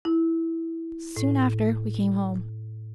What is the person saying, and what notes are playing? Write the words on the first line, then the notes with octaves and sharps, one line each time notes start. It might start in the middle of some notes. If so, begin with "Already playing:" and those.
Soon after we came home.
E4
A2